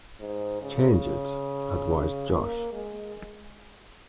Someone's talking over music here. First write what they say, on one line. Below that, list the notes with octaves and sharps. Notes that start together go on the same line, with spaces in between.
"Change it," advised Josh.
G#2
C#3
A#3
G#3